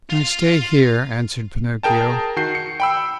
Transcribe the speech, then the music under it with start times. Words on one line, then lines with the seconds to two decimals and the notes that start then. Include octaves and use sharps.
"I stay here," answered Pinocchio.
0.10 F4 F5
1.83 G#4 A#4 G5 A5
2.36 D#3 F#4 G6 C7
2.55 C#7
2.80 G5 B5 E6